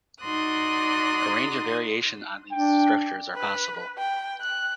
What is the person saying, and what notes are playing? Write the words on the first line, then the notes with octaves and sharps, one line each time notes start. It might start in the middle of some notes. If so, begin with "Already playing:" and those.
A range of variations on these structures are possible.
D#4 F#4 D5 C6 D#6 F#6
D4 G5
B4
G5
F#6